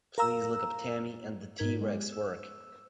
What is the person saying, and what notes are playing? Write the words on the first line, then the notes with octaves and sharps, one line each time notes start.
Please look up Tammy and the T-Rex work.
A#4 F5 A#5 E6
G#2 D#4 A#4 G#6 B6
G#3 G4
E6